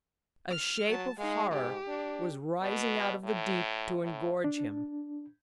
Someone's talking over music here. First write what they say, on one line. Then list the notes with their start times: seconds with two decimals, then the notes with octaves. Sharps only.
A shape of horror was rising out of the deep to engorge him.
0.50 F6
0.89 F#3 A5
1.19 G#3 D#4 F5
1.51 G#2 G4
1.88 D4
2.62 B2
3.24 A2
4.03 A2
4.44 D4